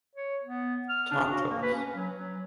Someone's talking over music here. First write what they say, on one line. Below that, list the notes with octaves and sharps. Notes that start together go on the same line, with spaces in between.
Talk to us.
C#5
B3
F6
D4
F#4
A#3
B4
C#4
F#3
F#3